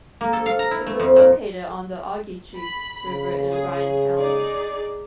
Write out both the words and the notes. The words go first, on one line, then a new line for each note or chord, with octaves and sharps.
It was located on the Ogeechee River in Bryan County.
A#3
A4
F5
A#5
E4
A3
F2
A#2
B5
C#3
G#4
D#4 G#4 D5